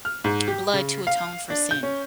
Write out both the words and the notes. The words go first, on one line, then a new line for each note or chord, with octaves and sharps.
blood to atone for sin.
F6
G#2
G4
C#3
F5
D4
G6
C#4